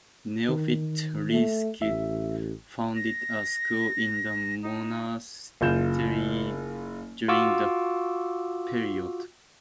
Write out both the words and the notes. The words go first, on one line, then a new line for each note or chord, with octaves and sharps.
Neofit Rilski founded a school in the monastery during the period.
D#3
A3
A1 E5
A#6
D#4
F#1 F4 G6 E7
F4 F#4 C#6 D6 E6